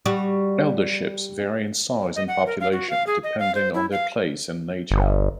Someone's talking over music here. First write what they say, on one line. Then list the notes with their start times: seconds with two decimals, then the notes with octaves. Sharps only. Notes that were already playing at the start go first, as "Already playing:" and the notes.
Elderships vary in size and population depending on their place and nature.
0.06 G3 F#4
2.16 D#5
2.28 F#5
2.47 A#4
2.60 F5
2.72 F#4
2.90 F5
3.07 G#4
3.24 D#5
3.39 F5
3.55 C5
3.74 E4
3.92 F5
4.91 G1